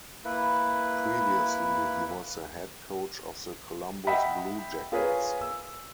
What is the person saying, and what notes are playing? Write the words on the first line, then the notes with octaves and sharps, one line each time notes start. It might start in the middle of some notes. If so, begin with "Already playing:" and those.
Previously, he was the head coach of the Columbus Blue Jackets.
A#3 E4 B4
D#5 E5 F#5 G5 B5 B6
F4 G#4 A#4 B4 C#5
E6